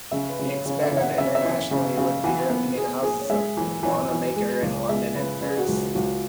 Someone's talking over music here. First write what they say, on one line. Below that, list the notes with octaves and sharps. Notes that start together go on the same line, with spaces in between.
He expanded internationally with the European Houses of Wanamaker in London and Paris.
C#3 E5
B4
C#3
C#5
C#3 C#5
E5
E3
E5
F#5
C#3 E5
C#5
E5
E3
C#3
C#3
E3 F#5
B3
G#4
G#4
C#5
G#3 E5
E3
E3 C#5
E3
G#3
C#2
G#3 E5
C#3 B4
C#3 B4
G#4
F#4
C#2 G#4
C#2 F#4